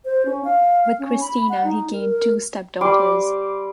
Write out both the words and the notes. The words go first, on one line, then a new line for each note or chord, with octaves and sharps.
With Christina, he gained two step-daughters.
C5
C#4
F5
C#4
B5
F#5
D#4
A#4
A#4
G3 C6 D6